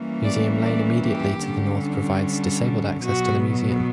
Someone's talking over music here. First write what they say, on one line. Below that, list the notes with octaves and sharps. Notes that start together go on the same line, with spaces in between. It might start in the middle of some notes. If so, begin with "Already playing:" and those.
Museum Lane immediately to the north provides disabled access to the museum.
Already playing: E3 G3 A#3 C#4
D5
D5
G4
D3 G3 C#4
B2 F#3 B3 F#4